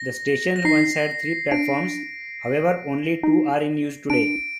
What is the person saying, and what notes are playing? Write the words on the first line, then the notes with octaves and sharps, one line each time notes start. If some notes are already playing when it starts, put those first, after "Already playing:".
The station once had three platforms, however only two are in use today.
Already playing: A#6
A#6
D#4 C7
D4 D7
D#4
D4 D7